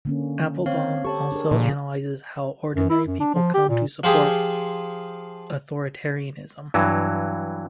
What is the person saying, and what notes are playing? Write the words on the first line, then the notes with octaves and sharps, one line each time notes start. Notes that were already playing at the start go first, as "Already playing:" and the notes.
Applebaum also analyzes how ordinary people come to support authoritarianism.
D3 A#3 C#4
C4 C5 C#5 F5
G4 A4 C#5 A5 C#6
D4 G#4 A#4
A#2 C#3 F3 G#4
F#2
E4
F#2
D4
F3
G4
A#2
F3 F4 G4 G#4
G2 E3 F#3